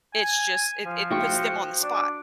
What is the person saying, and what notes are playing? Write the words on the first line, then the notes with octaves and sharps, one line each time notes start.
it's just it it puts them on the spot.
G#5
F3
F#4 G5 C#6
D4